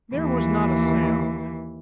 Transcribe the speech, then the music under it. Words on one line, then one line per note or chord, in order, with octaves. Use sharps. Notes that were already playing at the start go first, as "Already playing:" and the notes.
There was not a sound.
D#2 E3